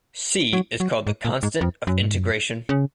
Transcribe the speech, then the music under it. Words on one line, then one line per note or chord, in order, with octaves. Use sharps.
"C" is called the constant of integration.
F#3
F#3
G#2
A#2
G#2
F2
F#2
G#2
F#2
C#3